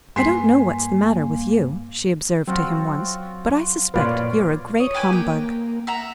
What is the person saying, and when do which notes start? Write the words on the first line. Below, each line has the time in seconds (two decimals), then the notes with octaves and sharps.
"I don't know what's the matter with you," she observed to him once; "but I suspect you're a great humbug."
0.16 G2 G3 A#3 G#5 C6 B6 C7
2.47 F#3 C4 F4 F#4
3.94 F#2 A#2 F4 B4 C#5 D5 F5
4.80 C#5 D#6
4.94 G4 B4 G#5
5.13 A#3 G5
5.87 E5 F#5 A#5